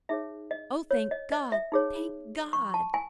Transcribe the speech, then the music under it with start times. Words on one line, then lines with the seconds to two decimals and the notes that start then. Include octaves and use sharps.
Oh, thank God, thank God!
0.09 D#4 G#4 C#5 E5
0.51 D#5
0.91 C#5
1.11 D#5
1.32 D#5
1.52 E5
1.72 D#4 G#4 C#5
2.53 C#6
2.74 A5
2.94 G#5